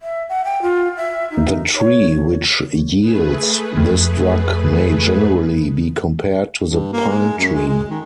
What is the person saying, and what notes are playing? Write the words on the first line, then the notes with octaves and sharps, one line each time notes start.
The tree which yields this drug may generally be compared to the pine tree.
E5
F#5
G5
F4
E5
D#4
C#5
A3 G#4 B4
F2
G2
A#3
G#3
F#2
G#3
G#3
D#3